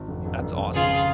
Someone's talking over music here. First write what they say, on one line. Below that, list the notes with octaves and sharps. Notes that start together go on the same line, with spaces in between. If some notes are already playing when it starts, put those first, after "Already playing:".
That's awesome.
Already playing: G#1
F1
F1
F1
F1
C#3 F4 G#4